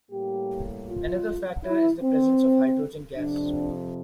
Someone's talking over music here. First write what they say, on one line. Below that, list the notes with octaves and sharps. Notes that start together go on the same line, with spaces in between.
Another factor is the presence of hydrogen gas.
A2 G3 A#3 G4
F4
E4
C4
F2 C3 F3 D4